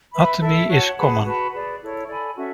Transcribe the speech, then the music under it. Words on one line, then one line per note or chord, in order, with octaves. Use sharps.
Atemi is common.
B4 E5 B5
E4 A4 E5
F#4 C#5 F#5 A5
G#4 B4 F#5 A5
F#4 B4 F#5 A5
G#4 B4 D5
E4 A4 C#5
A4 D5 G#5 B5
C#4 F#4 A4 E5